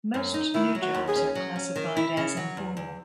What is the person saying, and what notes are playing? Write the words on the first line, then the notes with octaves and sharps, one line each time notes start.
Most new jobs are classified as informal.
F#2
D#4
D#3 E4
F#3
F#4
D#2
G#4
C#4
F#3
C#4
D#3
E4
C#3
F#3
E2
E2